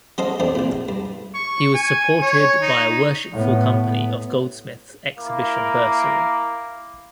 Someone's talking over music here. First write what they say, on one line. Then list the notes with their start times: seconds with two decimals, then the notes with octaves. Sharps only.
He was supported by a Worshipful Company of Goldsmiths exhibition bursary.
0.18 F#3 C#4 A4 C5 D#5 F5
0.40 E2 A2 C4 D4 G4
0.55 A#1 A#2
0.89 G2
1.35 C#6
1.74 G#5
2.22 C#5
2.62 D#4
3.33 A2 B3
5.17 A#3 E4 A#4 F5 D6